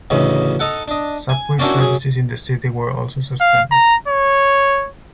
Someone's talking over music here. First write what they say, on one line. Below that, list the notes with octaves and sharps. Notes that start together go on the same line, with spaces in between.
Subway services in the city were also suspended.
A1 D2 C#3 D#5
D#4 A4 F#5
D4 D#5
G#5
A#3 C#4 D4 E4 F#4
F#2 G#4
F5
A#5
C#5